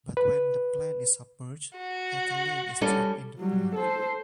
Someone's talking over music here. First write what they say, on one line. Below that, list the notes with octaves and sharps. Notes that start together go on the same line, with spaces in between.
But when the plant is submerged ethylene is trapped in the plant.
B4
F#4
G3 C#4 A4
F#3 G3
A4 C5